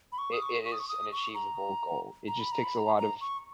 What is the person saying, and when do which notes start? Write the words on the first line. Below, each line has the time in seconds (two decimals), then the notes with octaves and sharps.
it it is an achievable goal, it just takes a lot of
0.12 B5
0.18 C#6
0.33 D#6
0.42 C#6
0.65 C#6
0.72 D#6
0.79 C#6
0.89 D#6
1.12 C#6
1.35 A#5
2.28 A#5
2.40 B5
2.52 A#5
2.64 B5
2.77 A#5
2.98 A#5
3.21 C#6